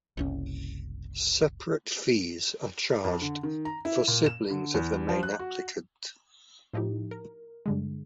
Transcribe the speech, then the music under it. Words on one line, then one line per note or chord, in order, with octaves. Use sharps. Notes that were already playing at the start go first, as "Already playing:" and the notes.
Separate fees are charged for siblings of the main applicant.
F#1 C2 C#4
F2
D3
D#3
A#5
E4
A#2
E7
D3
E2
F3
F#6
F#4
A2 F3 D#4 E4 G4
A#4
G2 D3 G#3